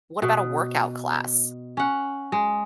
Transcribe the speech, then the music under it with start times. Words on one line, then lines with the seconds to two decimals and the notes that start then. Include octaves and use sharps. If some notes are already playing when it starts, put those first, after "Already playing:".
what about a workout class?
0.22 B2
1.77 C#4 F#5
2.32 G#3